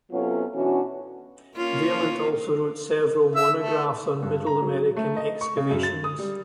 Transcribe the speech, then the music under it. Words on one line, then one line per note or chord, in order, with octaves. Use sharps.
Vaillant also wrote several monographs on Middle American excavations.
C3 F#3 B3 C#4 F4 A4
B2 E3 C#4 D4 F#4
A#3 C#4 F4
E5
A3
G2
A#5
F#3
A3
D#5
C#6
C#3
F#2
A6
D#6
G3